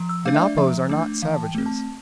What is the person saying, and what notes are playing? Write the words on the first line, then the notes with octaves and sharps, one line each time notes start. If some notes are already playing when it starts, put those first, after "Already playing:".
The Napos are not savages.
Already playing: F3
E6
A3 D4 F5
E5
D5
F3 E5
A3 D4
E3 F5
A5
G5
A3 C4
A5